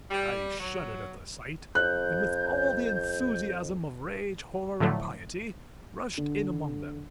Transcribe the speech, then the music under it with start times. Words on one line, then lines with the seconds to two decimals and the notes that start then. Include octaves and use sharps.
I shuddered at the sight, and with all the enthusiasm of rage, horror, and piety, rushed in among them.
0.10 G3
0.60 F#3
1.75 F2 F#6 G6
4.80 A2 D3 F3 F#3 A3
6.17 D3